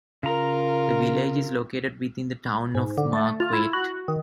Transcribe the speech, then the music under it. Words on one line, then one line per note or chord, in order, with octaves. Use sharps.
The village is located within the Town of Marquette.
C#3 F4 A#4 A#5
G#2
D3
A3
F4
E4
F#4
D#3